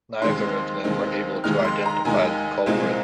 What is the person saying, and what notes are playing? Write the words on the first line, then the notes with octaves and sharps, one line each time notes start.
Neither of them were able to identify the culprit.
D#2 D#3 G#3 C4 D#4 C6
D#2 D#3 G#3 C4 D#4
D#2 D#3 G#3 D#4 F6
C6
A#5
D#2 D#3 G#3 D#4 G#5
C2 A#2 G#3 C4 D#4